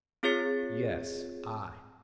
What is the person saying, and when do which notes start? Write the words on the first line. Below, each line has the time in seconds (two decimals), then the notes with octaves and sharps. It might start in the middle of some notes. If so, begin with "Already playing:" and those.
"Yes, I."
0.23 C4 F4 G#4 C#5 A6 C#7